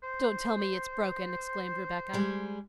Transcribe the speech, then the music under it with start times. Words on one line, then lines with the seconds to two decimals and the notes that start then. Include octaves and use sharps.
"Don't tell me it's broken," exclaimed Rebecca.
0.03 C5
2.13 G3 G#3